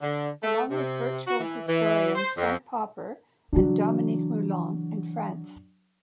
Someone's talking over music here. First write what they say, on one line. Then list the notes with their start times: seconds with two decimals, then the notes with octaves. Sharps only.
Along with virtual historians Frank Popper and Dominique Moulon in France.
0.01 D3
0.44 A3
0.70 C3
1.27 F#4
1.40 E3
1.67 E3
2.15 C5
2.37 F2
3.53 C#3 E3 F#3 D4